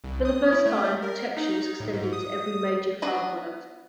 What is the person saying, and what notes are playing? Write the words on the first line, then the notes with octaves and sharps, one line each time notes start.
For the first time protection was extended to every major farm product.
C2
D#6
E4
A3
A#4
D#4
A2
G#2
D#6
D#6
B3 D4 F#4 B4 A#5